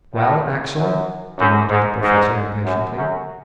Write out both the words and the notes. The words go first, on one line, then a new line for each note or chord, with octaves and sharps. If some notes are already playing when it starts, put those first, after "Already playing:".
"Well, Axel?" demanded the Professor impatiently.
A2
F#2
F#2
G#2
G#2
F#2
F#2